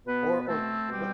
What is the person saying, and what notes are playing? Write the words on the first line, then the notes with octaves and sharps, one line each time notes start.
Or or, eh what
B2 B3 B4
A3 C4 A4
B2 G3 G4